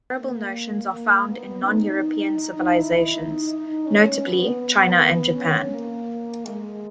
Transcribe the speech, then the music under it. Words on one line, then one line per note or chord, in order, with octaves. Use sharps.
Comparable notions are found in non-European civilizations, notably China and Japan.
A#3
A#3
B3
D#4
D#4
E4
D#4
D#4
C#4
B3
B3
C#4
A#3
G#3